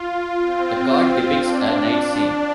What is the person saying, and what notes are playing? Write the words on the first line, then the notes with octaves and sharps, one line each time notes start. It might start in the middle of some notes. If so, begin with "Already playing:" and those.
The card depicts a night scene.
Already playing: F4
C4
D4